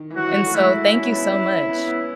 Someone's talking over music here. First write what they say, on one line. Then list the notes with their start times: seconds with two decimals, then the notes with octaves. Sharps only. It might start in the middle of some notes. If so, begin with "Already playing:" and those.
And so, thank you so much,
Already playing: D#3
0.11 E3
0.16 F#3 F#4
0.46 A3
0.55 G#3 E4
0.93 C#4
1.12 B3
1.32 C#4
1.69 B3
1.77 C#4
1.87 B3